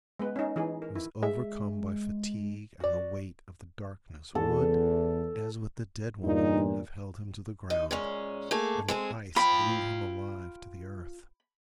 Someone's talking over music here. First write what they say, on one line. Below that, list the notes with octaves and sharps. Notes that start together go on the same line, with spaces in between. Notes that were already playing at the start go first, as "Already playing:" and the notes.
He was overcome by fatigue, and the weight of the darkness would, as with the dead woman, have held him to the ground, and the ice glued him alive to the earth.
G#3 B3 B4
C#4 D#4
E3 D#4 G#4
A#4
E4
G#3 E5
F#4 D5
E2 A4
E2 G2 A#2 D#4
D#4
A#2 G#3 C#4
A3 A#3 G#4
G#3 C4 G#4
F4 G5 B5